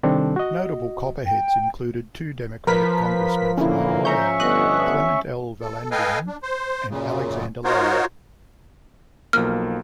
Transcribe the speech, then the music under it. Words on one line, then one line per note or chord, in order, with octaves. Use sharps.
Notable Copperheads included two Democratic congressmen from Ohio: Clement L. Vallandigham and Alexander Long.
C3 D#3 G3 C4 D4 A4
F#4 D#5
G5
F3 A#4 B4 B6
D3 E3 A#3 C#4 E4
C#4 E5 A#5 C#6 G6
G1 A3 B3 D#5 F#6
A4
A4 B4 D#5 F5 G5 G#5
D4
C5
F#2 A#2 C#3
D#4 F4 F#4 A#4 C5 C#5
B1 F3 A#3 F6